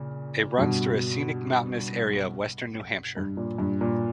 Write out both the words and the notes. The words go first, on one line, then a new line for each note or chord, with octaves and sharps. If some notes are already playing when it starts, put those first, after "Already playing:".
It runs through a scenic, mountainous area of western New Hampshire.
Already playing: A#2 C#3
G2 B2
G2
A#2
G2
A#2